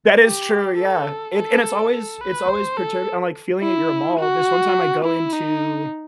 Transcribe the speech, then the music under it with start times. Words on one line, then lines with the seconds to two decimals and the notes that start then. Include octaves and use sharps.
That is true, yeah, it and it's always it's always perturbed I'm like, feeling at your mall. This one time I go into
0.22 G4
0.79 A4
1.35 A4
1.93 A4
2.21 B4
2.49 C5
2.77 A4
3.62 E4
4.20 F#4
5.05 E4
5.33 D#4